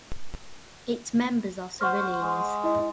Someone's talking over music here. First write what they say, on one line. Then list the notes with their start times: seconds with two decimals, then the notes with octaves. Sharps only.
Its members are civilians.
1.81 C5 F#5 C#6 F6
2.22 G#3
2.64 E4 D#5